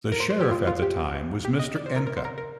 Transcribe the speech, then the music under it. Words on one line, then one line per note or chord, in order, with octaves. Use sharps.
The sheriff at the time was Mr. Enke.
A#4
C5
C5
G4
F4
F4
G4
G4
D#5
D5
C5
A#4
A#4
C5
A#4
A#4